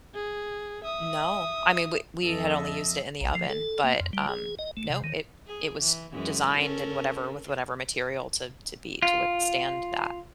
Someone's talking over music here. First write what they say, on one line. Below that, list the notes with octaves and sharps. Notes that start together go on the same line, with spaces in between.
No, I mean, we we had only used it in the oven, but, um, no, it it was designed and whatever with whatever material to to be to withstand that.
G#4
E5 D#6
F2 A4 D#5 E5
A#1
F3
A4
A#3
F2
G3
G#4
D#5
A3
C3
D#3
G#4
E3
F#2 E3 G#3
C#4 A4 A#4
F4